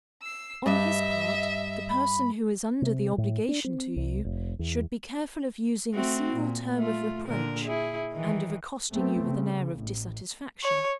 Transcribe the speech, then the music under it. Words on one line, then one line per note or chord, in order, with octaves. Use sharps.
On his part, the person who is under the obligation to you, should be careful of using a single term of reproach and of accosting you with an air of dissatisfaction.
E6 C7
G2 D#5 E5
B5
C3
A2
D4
C4
C2
F1
E2
A3 C4 F#4
A#2
A3 F4
A#2 D3 A#4
E4 G#4
D#3 E3
F#2 A3 B3 C4
C#3
A1
C#5